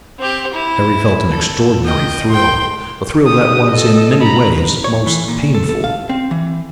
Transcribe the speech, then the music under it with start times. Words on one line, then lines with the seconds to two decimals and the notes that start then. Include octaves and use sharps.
Harry felt an extraordinary thrill, a thrill that was, in many ways, most painful.
0.18 C4 G4
0.53 E4
1.28 A4
1.83 D#5 G5
2.29 G5 C6
3.26 G4 D#6
3.71 A4 D#5
4.21 A#5 B5
4.84 C#5
5.06 E3
5.28 A#2
5.55 A4
5.69 A4
5.84 F5
6.09 C4
6.31 E3